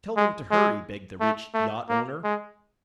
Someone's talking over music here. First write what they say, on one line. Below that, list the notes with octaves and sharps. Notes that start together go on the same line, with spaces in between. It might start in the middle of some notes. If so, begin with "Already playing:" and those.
"Tell them to hurry," begged the rich yacht owner.
G#3
G#3
A3
A3
A#3
G#3